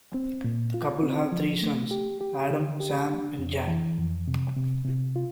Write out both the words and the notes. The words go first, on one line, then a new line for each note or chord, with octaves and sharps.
The couple have three sons: Adam, Sam and Jack.
C4
A#2
F4
C4
F3
A3
G4
G4
D3
G4
D4
F2
E3
F2
C3
C3
C3
F4